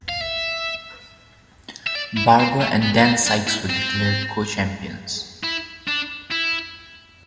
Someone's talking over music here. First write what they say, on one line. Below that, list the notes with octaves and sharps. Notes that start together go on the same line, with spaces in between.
Barber and Dan Sikes were declared co-champions.
F5
E5
E5
D5
E4
C4
A3
B3
C4
D4
E4
C4
E4
D4
E4